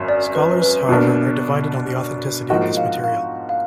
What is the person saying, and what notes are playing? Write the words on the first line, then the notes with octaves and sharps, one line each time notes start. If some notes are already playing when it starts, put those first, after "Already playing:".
Scholars, however, are divided on the authenticity of this material.
Already playing: G#1 F#2
D5
B4
B4
B2 A#3 D4
G#2 F3 A#3 D#4 F#4 D#5
F5
F5
F5